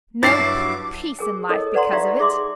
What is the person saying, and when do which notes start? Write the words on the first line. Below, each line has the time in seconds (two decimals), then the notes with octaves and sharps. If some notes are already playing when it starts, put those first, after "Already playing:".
No p--peace in life because of it.
0.23 G2 F#3 E4 D6 A6 C7
1.19 G#4 A#4 G#5
1.49 E4 A4 A#4 C#5 D#5
1.74 B4 D5 F#5 A#5 C6
1.92 D#4 G4 D5 E5 F5 A#5
2.19 D#4 G#4 E5 C6 D6